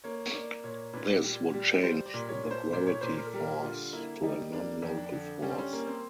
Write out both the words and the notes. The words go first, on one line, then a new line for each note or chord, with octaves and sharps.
This would change the gravity force to a non-local force.
A#3 C#5
C#5
A#3 D5
A#2 C#5
A#2 B4
G3
G3
G3 C5
D5
A#2
C#5
A#2
C5
A#2 C5
C#5
A#2 C5
A#4
A4
G3 A#4
D3 F4
A#3 E4
G3 D#4
A#3 D4
F2
D4
D3
G3 C#4
C4
C#4
A#3
C4